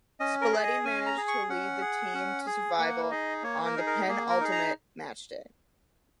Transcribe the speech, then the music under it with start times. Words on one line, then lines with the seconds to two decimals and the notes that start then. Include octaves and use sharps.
Spalletti managed to lead the team to survival on the penultimate matchday.
0.20 C#4 D#5
0.41 A#4
0.53 G#4
0.63 D#5
0.84 C#4 G#5
1.06 A#5
1.17 G#4
1.28 C#6
1.49 C#4 F#5
1.81 G#4
2.14 C#4
2.46 G#4
2.79 A#3 F#5
3.11 D#4 G#4 D#5
3.43 A#3 C#5
3.65 A#4
3.76 D#4 G#4
3.87 A#4
4.08 A#3 G#4
4.30 A#4
4.40 D#4 G#4
4.52 A#5